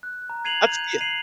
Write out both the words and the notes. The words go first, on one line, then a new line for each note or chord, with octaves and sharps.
that's yeah.
F#6
A#5
G#6 C7 D#7 F7 F#7
G6
C7 D#7 F7 F#7